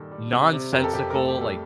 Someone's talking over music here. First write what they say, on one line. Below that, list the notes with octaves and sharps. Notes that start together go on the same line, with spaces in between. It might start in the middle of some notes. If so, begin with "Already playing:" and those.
nonsensical, like
Already playing: G2 A#2 D#3 G3 A4
G3
C3
C3
F2 G4 A#4
A4
F2 G4
A#4
A2 A4
G4
G3
A4